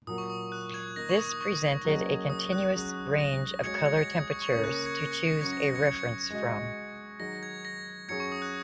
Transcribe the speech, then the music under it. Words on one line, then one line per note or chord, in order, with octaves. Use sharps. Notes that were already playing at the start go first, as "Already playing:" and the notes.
This presented a continuous range of color temperatures to choose a reference from.
A#2 F#3 A#3 D#6
C#6
D#6
F#6
G#6
D#3 A#3 D#4 A#6
C#6
D#6
D#6
C#6
F#3 A#3 C#4 G#4 D#5
D#6
F#6
F#3 C#4 G#4
A#6
G#3 F#4 C#5 G#6 C#7
G#6 C#7
G#6 C#7
A#6
G#6
D#6
C#6
C#6
C#3 A#3 C#4 A#4 C#5 D#6
F#6
A#6
G#6 C#7
A#6
G#6 C#7
A#6
F#2 F#3 C#4 G#6 C#7
A#6
A#6
G#6 C#7
G#6 C#7
G#3 F#4 D#5
D#3 F#3 D#4 G#4 A#6
G#6
A#6
F#2 F#3 C#4 G#4 G#6 C#7
C#6
D#6
F#6